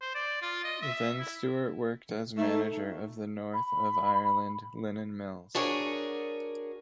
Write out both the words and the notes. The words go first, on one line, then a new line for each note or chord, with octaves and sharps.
Then Stuart worked as manager of the North of Ireland Linen Mills.
C5
D5
F4
D#5
E5
E4
A3 D#4
B5
D4 F#4 G#4 A#4 C#5